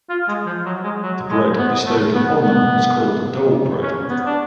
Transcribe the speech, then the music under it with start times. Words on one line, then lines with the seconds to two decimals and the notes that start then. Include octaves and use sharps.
The bread bestowed upon them was called dole-bread.
0.09 F4
0.28 G#3
0.46 F3
0.66 F#3
0.84 G#3
1.02 F#3
1.30 G#3
1.58 B3
1.86 A3
2.14 B3
2.42 B3
3.81 C#4
4.09 B3
4.25 D4